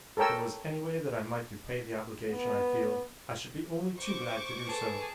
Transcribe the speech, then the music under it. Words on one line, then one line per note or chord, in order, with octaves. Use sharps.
If there was any way that I might repay the obligation I feel, I should be only too glad to do so.
A4 A#4 C#5 G5 E6
B3
C5 C#6 D6
G#4 A4 B4 G#5 A5